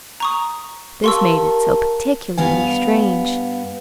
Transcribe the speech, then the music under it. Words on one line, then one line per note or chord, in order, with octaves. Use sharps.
This made it so particularly strange!
A#5 C#6 D#6
G4 A#4 F5 A5 C6 C#6 E6
G2 B3 F5 G#5